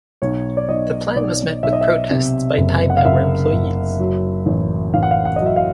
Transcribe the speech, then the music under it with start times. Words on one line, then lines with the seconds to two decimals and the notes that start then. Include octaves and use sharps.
The plan was met with protests by Taipower employees.
0.22 B1 C#5
0.57 D5
0.69 B1 D#5
1.16 B1 D5
1.63 B1 E5
1.73 D#5
1.81 E5
2.11 C3
2.58 F#1
2.90 F#5
2.97 F5
3.05 F#1 E5
3.52 F#1
3.99 F#3
4.46 A1
4.94 A1 F5
5.03 F#5
5.11 F5
5.25 F#5
5.36 F#3 D#5
5.46 E5
5.56 F5